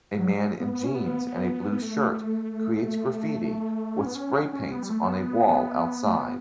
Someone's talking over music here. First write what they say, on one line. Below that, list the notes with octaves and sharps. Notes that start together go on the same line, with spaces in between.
A man in jeans and a blue shirt creates graffiti with spray paints on a wall outside.
F#3
G3
B3
B3
C#4
B3
B3
B3
A3
C#4
B3
C#4
C#4
B3
G3
A3
A3
B3
A3
B3